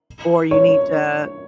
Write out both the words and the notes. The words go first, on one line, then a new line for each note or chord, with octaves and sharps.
or you need to,
C#5